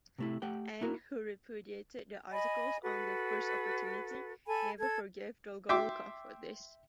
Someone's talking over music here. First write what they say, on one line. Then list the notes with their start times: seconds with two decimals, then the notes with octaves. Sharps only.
Anne, who repudiated the "articles" on the first opportunity, never forgave Dolgorukov for this.
0.18 C3 A3 E4
0.42 A3 G4 F#5 G5
0.81 A#3 E4 F#4 A#4
2.31 D#5 G#5 B5
2.82 F#4 A4 B4
4.47 A4 G#5 B5
4.81 A4 G#6
5.69 E5 G5 C6 D6